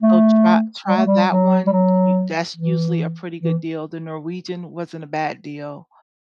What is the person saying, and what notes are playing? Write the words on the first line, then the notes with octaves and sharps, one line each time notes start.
oh, try try that one, u that's usually a pretty good deal, the Norwegian wasn't a bad deal.
A3
G3
A3
G3
F#3
G3
F#3
E3
E3